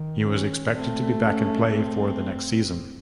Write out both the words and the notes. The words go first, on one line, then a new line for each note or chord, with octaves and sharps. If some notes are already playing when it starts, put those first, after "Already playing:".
He was expected to be back in play for the next season.
Already playing: D#3
C#4
A3 C4
C#4
C4